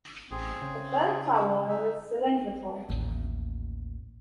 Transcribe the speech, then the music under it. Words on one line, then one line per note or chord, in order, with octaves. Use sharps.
The bell tower is cylindrical.
A1 C4 G#4
C#3
D#4 E5
A1 D#2